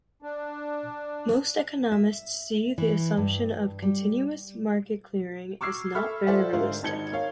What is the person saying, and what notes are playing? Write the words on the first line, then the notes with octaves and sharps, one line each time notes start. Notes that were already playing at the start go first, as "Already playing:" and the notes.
Most economists see the assumption of "continuous" market clearing as not very realistic.
D4
E5
E3
G2
G3
C#6 D6 E6 F6 G#6 C7
A4 E5 B5 C#6 E6 F6
F4 A4 C5 D5 E5 F#5
G#2 D3 A#4 C5 F5
G#1 D#4 A5 G#6 C#7 G7
A#4 C#5 F5